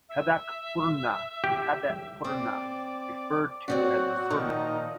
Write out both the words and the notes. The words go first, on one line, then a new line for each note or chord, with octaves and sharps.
Khadakpurna, Katepurna, referred to as Purna.
E5
G4
C4 D5
F#3 C4 F#4 D5
A#2 D#3 F3
D#4